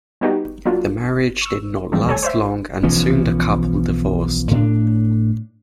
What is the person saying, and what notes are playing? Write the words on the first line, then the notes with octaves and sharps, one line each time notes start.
The marriage did not last long and soon the couple divorced.
G3 B3 D#4 F#4 G4
F#3 A#3 D4 F4 F#4
C#6 E6
E3 F3 G3 C4
D#2 A3 A4 C#5 G#5
C5 C#5 E5
B1 E3 F3 C#4
A2 D4